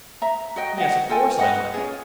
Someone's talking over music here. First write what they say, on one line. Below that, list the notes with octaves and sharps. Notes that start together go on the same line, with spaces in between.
"Yes, of course," I laughed.
E5 A#5
F#4 D#5 G5
D#5 F#5
F4 A4 G5 G#5
B4 D#5 F#5
C#4 F4 G#4